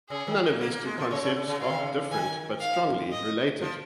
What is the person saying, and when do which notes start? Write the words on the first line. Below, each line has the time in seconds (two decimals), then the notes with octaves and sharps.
Note that these two concepts are different but strongly related.
0.10 C#3 G#4
0.27 D#3
0.44 A#3
0.61 A#3
0.73 A#3
0.86 G#3
0.98 F3
1.11 C#3 C#5
1.23 C#3
1.36 C#3
1.48 C#3
1.61 A#2 F5
1.70 D#3
1.78 C#3
1.94 C#3
2.11 D#3 G#5
2.61 F5
3.12 D#5
3.61 F3